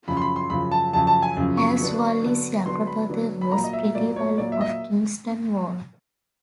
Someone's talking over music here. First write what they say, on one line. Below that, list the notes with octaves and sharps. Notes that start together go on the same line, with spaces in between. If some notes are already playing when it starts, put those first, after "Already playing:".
Hasse Walli's younger brother was Petri Walli of Kingston Wall.
F#2 C#3 F3 B5
C6
B5
C6
F#2 C#3 F3 B5
A5
F#2 C#3 F3 A5
A5
G#5
F#2 C#3 F3
C#6
D3 F#3 B3 D4
D3 F#3 B3 D4
D3 F#3 B3 D4 C6
B5
D3 F#3 B3 D4
B5
A#2 F#3 A#3 A#5
D#5
E5
A#2 F#3 A#3 D5
C#5
A#2 F#3 A#3 D5
E5
D#5
E5